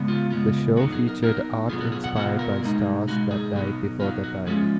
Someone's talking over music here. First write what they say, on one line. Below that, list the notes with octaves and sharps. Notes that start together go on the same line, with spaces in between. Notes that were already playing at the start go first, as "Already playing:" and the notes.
The show featured art inspired by stars that died before their time.
Already playing: C#3 G#3 B3
F4
C#3 G#3 B3 F4
F#3 B3 D#4 F#4
G#4
A#4
F#3 B3 D#4 A#4
B2 F#3 B3 F4 G#4
F#4
G#4
F#5
B2 F#3 B3 F4 F#5
A#4
B2 G#3 D#4
B2 G#3 D#4 F#4
G#4
B2 F#3 B3 D#4
B2 F#3 B3 D#4 F4
F#4
F3 G#3 C#4 F4 G#4